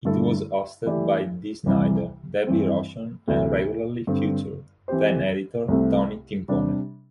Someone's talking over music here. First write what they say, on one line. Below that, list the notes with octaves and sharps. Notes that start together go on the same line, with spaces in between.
It was hosted by Dee Snider, Debbie Rochon, and regularly featured then-editor Tony Timpone.
G2 D3 A3 E4 A4
E3 A3 E4 G4 D5
C2 C3 E3 G3
G2 E3 C4
D2 C3 E3 A3
G2 D3 G3 C4
E3 C4 G4 C5
C2 C3 A3 C4
C3 G3 D4